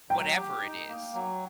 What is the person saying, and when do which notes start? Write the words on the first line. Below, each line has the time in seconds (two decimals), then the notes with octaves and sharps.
whatever it is.
0.10 F#3 G5
0.36 G4
0.62 D#4
0.88 A#3
1.14 F#3